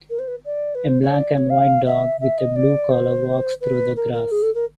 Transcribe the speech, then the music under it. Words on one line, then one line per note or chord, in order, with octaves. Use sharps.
A black and white dog with a blue collar walks through the grass.
A#4
C5
B4
D5
B4
C5
C#5
D5
C#5
F5
E5
E5
D#5
D5
C5
B4
A#4
A#4
G#4
A4
A#4